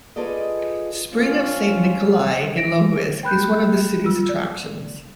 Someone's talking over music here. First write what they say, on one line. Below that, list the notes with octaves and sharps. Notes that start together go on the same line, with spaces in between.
Spring of Saint Nicholai in Logoisk is one of the city's attractions.
F4 G#4 A4 B4 D5 D#5
F3 C4 C#4 F4
A#6 D7
G5 B5 F#6 G6
F4 E6
D5